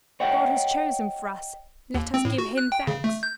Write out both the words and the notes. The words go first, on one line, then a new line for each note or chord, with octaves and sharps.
God has chosen for us; let us give Him thanks.
C#5 D#5 F#5 G5
D#2
C4
A2
F#4
F#6
G5
C#3
A3
G6